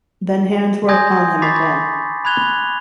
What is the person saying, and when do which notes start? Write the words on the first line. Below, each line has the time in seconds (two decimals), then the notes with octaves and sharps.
Then hands were upon him again.
0.88 G#5 C6 D#6 G6 G#6 A#6
1.42 B5 C#6 D6 A6 B6 C7
2.25 B5 F#6 G#6 F7 G7